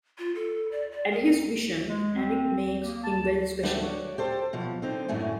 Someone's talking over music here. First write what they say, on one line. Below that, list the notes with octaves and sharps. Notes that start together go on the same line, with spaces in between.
Add his vision and it makes him very special.
F4
A4
D5
D5
A#4
C4
G#3
C4
A#3
A5
D3 F#3 G3 A3 D4 B4
F#4 C#5 D5
G4 A4 C5
B2 F3 F#3
D3 C4 D#4
F#2 A2 D3 F#3 A3 G#5